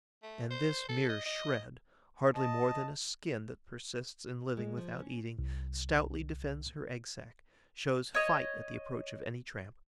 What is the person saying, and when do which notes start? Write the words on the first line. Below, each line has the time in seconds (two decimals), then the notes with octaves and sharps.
And this mere shred, hardly more than a skin that persists in living without eating, stoutly defends her egg-sack, shows fight at the approach of any tramp.
0.23 A3
0.51 C5
0.89 A4
1.09 D#5
1.26 D#5
2.35 D#5 A5
4.57 G#3
4.77 F3
4.99 C#4
5.39 C2
8.14 C#5 D#5